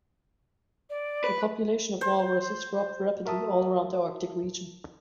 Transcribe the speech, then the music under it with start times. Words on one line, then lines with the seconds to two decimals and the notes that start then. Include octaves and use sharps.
The population of walruses dropped rapidly all around the Arctic region.
0.90 D5
1.24 B4
2.01 C5
3.26 F#4 A#4 E5 A5 D#6